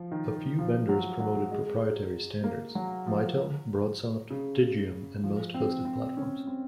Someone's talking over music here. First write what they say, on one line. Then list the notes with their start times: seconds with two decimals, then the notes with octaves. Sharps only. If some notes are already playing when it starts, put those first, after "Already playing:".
A few vendors promoted proprietary standards: Mitel, Broadsoft, Digium and most hosted platforms.
Already playing: F3
0.12 D#3
0.59 F3
0.89 F#3
1.20 F#3
1.51 G#3
2.44 A#3
2.75 F#3
3.06 F3
4.30 C#3
5.24 F3
5.54 C4
5.85 C4
6.17 C#4
6.47 C4